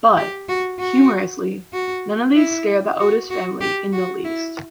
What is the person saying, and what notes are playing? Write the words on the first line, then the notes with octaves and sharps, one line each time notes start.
But, humorously, none of these scare the Otis family in the least.
G4
F#4
F#4
F#4
E4
F#4
F#4
G4
F#4
E4